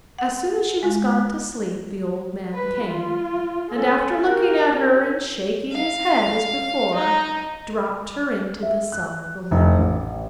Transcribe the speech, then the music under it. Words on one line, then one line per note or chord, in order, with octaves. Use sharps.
As soon as she was gone to sleep the Old Man came, and, after looking at her and shaking his head as before, dropped her into the cellar below.
F#5
G#3
B4
F4
C#4 A4
G4 A#4
F5
D#4
E5
F#6
F1
A1